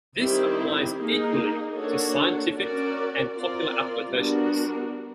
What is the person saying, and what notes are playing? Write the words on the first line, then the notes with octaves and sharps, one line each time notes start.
This applies equally to scientific and popular applications.
D#3 G3 C4 E4 G4
A#3 D#4 G#4
A#3 D4 F#4 A4 C#5
C#4 F#4 A#4 D5
C4 F4 A#4 D5
G3 B3 D4 F#4 A#4